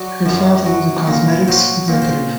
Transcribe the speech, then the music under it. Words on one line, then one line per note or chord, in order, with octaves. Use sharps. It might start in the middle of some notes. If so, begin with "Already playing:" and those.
Her father was a cosmetics executive.
Already playing: F#3 D5
F#2
F#3
A#2
F#3 C5
A#2
C5